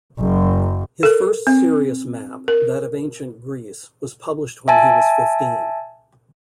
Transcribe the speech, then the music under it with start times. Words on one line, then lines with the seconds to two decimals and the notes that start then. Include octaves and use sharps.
His first serious map, that of Ancient Greece, was published when he was fifteen.
0.19 F#1 F#2
1.03 A4 A#4
1.47 C4
2.48 A#4
4.68 E5 G#5 A5